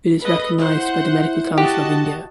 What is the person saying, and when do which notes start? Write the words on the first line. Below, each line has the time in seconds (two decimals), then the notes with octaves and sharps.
It is recognised by the Medical Council of India.
0.21 A4 B4 D#5
0.60 E4 C5 F#5
1.58 F#4 G4 D#5 A5